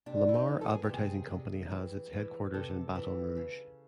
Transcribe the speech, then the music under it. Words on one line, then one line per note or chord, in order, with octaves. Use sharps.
Lamar Advertising Company has its headquarters in Baton Rouge.
C3 D4
E4
D#4
E3
A4
G#4
G4
C3
G#4
C3
E3
E3
C3 A4
E3
C#3